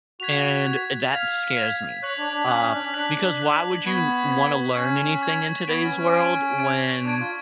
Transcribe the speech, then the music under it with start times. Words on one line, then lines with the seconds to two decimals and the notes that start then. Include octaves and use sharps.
and eh, that scares me. Uh, because why would you wanna learn anything in today's world when
0.20 F#4 G#6 B6 F7
0.65 G#6 B6 F7
1.12 F5 G#6 B6 F7
1.57 G#6 B6 F7
2.03 C#5 F#6 B6 F#7
2.18 D4
2.33 D4
2.48 C#4 F#6 B6 F#7
2.63 C#4
2.73 D4
2.79 C#4
2.94 D4 F#6 B6 F#7
3.40 F#6 B6 F#7
3.85 B3 C#6 G#6 B6
4.31 C#6 G#6 B6
4.76 C#4 C#6 G#6 B6
5.22 C#6 G#6 B6
5.67 B3 C#6 G#6 D7
5.84 C#4
5.98 C#4
6.14 C#6 G#6 D7
6.59 C#6 G#6 D7
7.05 D4 C#6 G#6 D7
7.20 F4